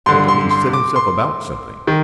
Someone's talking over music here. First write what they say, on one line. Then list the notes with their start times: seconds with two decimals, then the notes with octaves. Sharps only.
Why don't he set himself about something?
0.06 G2 D3 C6
0.28 C6
0.51 C6
0.73 D6
0.96 C6
1.87 D#3